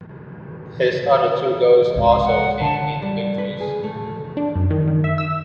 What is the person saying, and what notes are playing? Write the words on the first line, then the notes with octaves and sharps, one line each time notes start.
His other two goals also came in victories.
C2 G#2
C6
F#5
D3 A5
G3
B4
G#4
A3
D4
F#2
D#3
D#3
E5
E6